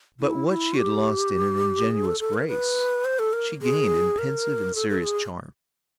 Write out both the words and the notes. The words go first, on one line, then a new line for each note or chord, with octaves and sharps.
But what she had lost in ingenuous grace, she gained in pensive and serious charm.
E4
E4
G4
G#4
A4
A4
A#4
B4
C5
A4
A#4
G#4
A#4
A4
A4
G#4